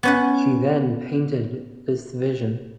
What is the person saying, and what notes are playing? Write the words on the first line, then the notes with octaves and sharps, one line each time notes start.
She then painted this vision.
B3 C#4 F#5